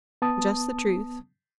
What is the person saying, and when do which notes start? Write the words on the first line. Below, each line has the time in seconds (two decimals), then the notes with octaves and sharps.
"Just the truth."
0.22 B3 A5 D#6